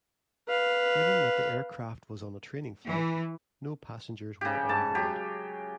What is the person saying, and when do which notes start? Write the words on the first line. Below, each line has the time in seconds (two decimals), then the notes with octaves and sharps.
Given that the aircraft was on a training flight, no passengers were on board.
0.49 B4 F5
2.86 E3
4.41 C#3 G4
4.69 G#2 A5
4.95 F#3 G4